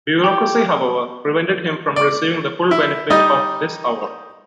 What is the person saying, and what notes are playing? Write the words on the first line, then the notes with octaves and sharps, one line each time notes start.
Bureaucracy however prevented him from receiving the full benefit of this award.
G4
D5
E4
G3 D#4 D#5